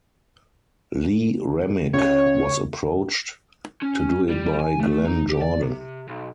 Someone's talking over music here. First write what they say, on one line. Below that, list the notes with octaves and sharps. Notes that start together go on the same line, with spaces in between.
Lee Remick was approached to do it by Glenn Jordan.
C#2 C#3 C#5
C#4
G3
G#5
A3
D#4
G4
D5
C3
B1